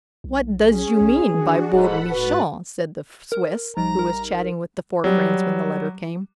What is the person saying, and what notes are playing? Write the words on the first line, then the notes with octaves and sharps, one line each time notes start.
"What does you mean by boor Michon?" said the Swiss, who was chatting with the four friends when the letter came.
B1
C#4 G#4
B1
D#3 D4 F#4
D1 G#2 A4 F#5 B5
G#2 F#4 B4 F#6 A6
A#4
A1 F3 G3 D#4 A#5
A#4
F#3 G3